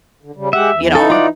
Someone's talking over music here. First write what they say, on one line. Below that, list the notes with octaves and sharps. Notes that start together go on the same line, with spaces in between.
you know?
D3
C#3 G3
G#3 G4 E5 F#5
E2 E3
E3 D#4 A4
F4 D5 F#5